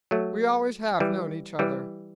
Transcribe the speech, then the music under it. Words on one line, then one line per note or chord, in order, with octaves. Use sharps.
"We always have known each other."
F#3 A3
E3 G3
E3 G3